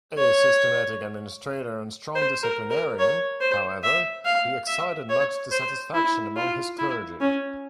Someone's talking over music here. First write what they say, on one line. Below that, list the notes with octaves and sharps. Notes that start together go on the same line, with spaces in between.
A systematic administrator and strong disciplinarian, however, he excited much dissatisfaction among his clergy.
C#5
C5
A#4
A#4
C#5
C5
E5
F5
E5
C#5
C5
E4
F4
E4
C#4